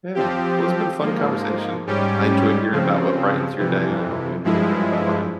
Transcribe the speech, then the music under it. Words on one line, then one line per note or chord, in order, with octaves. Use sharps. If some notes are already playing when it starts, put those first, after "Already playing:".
Yeah. Well, it's been fun conversation. I enjoyed hearing about what brightens your day, and I hope you enjoyed hearing about mine.
F3 C4 G4
G#2 F3 A#3
G#2 G3 C#4 G4
C#3 F3 C4
F2 C3 E3
G2 F3 G#3 E4